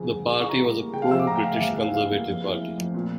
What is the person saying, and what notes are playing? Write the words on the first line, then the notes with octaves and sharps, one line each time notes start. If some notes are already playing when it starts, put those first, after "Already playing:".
The party was a pro-British conservative party.
Already playing: E2 C#3 F3
E2
C#3 D6
C#6
E3
A#5
G3
A#3
C#3 G5
F5
F3 E6
D6
A3 A#5
G5
C#3 F5
E5
E2 F5
E3 F5
G3 F5
A#3
F2
E3
A3
F2
A#2